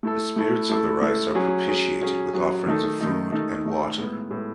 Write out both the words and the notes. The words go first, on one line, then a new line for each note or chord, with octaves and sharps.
The spirits of the rice are propitiated with offerings of food and water.
A3 E4 A4
A3 E4 A4
A3 E4 A4
A3 E4 A4
F#3 C#4 G#4
F#3 C#4 G#4
F#3 C#4 G#4
F#3 C#4 G#4
D#3 A3 D#4 A4
D#3 A3 D#4 A4
D#3 A3 D#4 A4
D#3 A3 D#4 A4
A2 G#3 B3
A2 G#3 B3